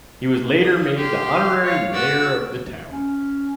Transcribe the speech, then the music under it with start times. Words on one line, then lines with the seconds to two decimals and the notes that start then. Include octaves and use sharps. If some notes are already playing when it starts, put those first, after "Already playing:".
He was later made the honorary mayor of the town.
0.63 D5 D#6
0.97 G4 C6 F6
1.64 C#5 F5
1.93 F#4 D5 E6
2.90 C#4